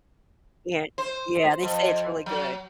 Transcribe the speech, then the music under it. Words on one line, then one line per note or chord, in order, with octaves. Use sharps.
Yeah, yeah, they say it's really good.
C5
F2
F#3